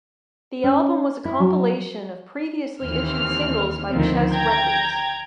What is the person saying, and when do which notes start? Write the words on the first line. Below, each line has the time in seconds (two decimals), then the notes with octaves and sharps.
The album was a compilation of previously issued singles by Chess Records.
0.64 C#4
1.25 E4
1.40 F#3
2.83 D#2 E3 C4 F6
3.92 D2 D#3 F3 C4
4.33 G5 A#5 G#6